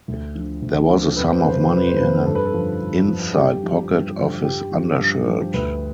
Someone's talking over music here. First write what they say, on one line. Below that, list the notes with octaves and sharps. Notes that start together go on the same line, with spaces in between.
There was a sum of money in an inside pocket of his undershirt.
D2
D3 F3
D2
D3 F3
F2 B4
C5
B4
C3 F3 C5
B4
C5
F2 B4
C5
C3 F3 B4
G2 A4
B4
A4
D3 F3
G2
D3 F3
G2 G4
D3 F3
G2
D3 F3
G2 G4
F3
G2
F3
D2 B4